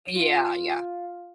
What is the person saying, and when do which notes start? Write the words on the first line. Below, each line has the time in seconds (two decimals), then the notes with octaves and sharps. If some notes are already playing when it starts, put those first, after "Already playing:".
Yeah, yeah.
0.16 F4